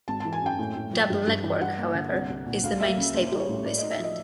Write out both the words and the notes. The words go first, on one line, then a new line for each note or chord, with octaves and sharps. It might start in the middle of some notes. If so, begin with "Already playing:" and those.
Double leg work however, is the main staple of this event.
G#1 A5
E3 A5
G#5
F#2 G5
A2
A2
F3
G2
G2
E3
G2 F#5
A#3
D3
C2
C2
A#2
D2 F5
A#3 E5
C#3
A#1 C5
G3
C#5
A2
A2 D5
D#4 D#5
E5
F3 D#5